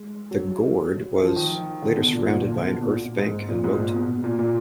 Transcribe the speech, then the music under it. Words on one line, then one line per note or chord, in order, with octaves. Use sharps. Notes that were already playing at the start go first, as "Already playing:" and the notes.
The "gord" was later surrounded by an earth bank and moat.
Already playing: G#3
F#3
F3
D#3
D3
B2
A#2
A#2
A#2
D3
B2
B2
A#2
G#2
A#2
G#2
A#2
B2
A#2
A#2